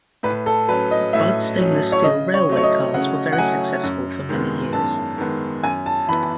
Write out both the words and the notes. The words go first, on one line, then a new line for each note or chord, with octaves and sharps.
Budd stainless steel railway cars were very successful for many years.
A2 B4
A4
F#3 C#4 B4
D#5
A2 E5
F#3 C#4
C#5
C#3 D#5
C#5
F#3 A3
C#5
D#5
C#3 F#5
F#5
F#3 A3 G#5
F#2
D#3 G#3 B3
F#2 A5
D#3 G#3 B3
F#2 G#5
A5
E3 B3 B5